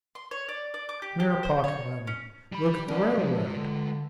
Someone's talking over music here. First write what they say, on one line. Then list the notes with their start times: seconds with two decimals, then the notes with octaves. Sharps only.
Mere pocket money! Look at the railroad!
0.15 C6
0.31 C#5
0.49 D5
0.74 D5
0.89 D6
1.02 G4
1.20 G4
1.43 C5
1.64 C#5
2.07 C#4
2.52 G3 B5
2.88 C#4 D4 A#4 F#5
3.18 F3 G#3 F4
3.56 D3 A4